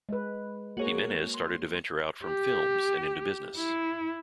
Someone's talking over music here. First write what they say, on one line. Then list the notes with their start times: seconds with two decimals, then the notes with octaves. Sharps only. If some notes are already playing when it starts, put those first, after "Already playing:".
Jimenez started to venture out from films and into business.
0.09 G#3 B4
0.77 A#3 F#4 G#4 A#4 C#5
1.34 C6
2.25 G4
3.57 E4